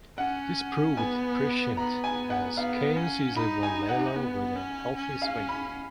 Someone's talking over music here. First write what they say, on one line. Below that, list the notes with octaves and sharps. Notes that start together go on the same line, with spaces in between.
This proved prescient, as Cairns easily won Lalor with a healthy swing.
C#4 F#5
B3 G#5
B3 A#5
G#5
F#5
B3 F5
C#4
D#4 B5
G#5
F#5
B3
C#4
C#4
F5
B5